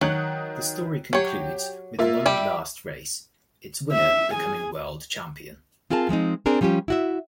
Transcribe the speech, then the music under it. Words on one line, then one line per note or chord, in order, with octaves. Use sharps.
The story concludes with one last race, its winner becoming world champion.
D#3 F#3 F#6
F#3 G4 C#5
A#3 F4 E5
G3 G4 E5
E5
G#4 G#5
C4 F4 G#4 A#4 G#5 A5
F3 G#3 C4 D#4
C4 D4 G#4 A#4
F3 G3 C#4 F4 G4
E4 F#4 E5